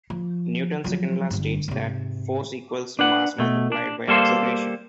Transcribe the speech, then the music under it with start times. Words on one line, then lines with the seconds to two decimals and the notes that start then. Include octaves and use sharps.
Newton's Second Law states that force equals mass multiplied by acceleration.
0.10 F3
0.84 F3 F#3
1.31 G1 G2
1.68 G#2 C3
2.99 D4 B4 F#5
3.38 B2 A3
3.72 D4
4.08 G3 A#3 A4 C5 F5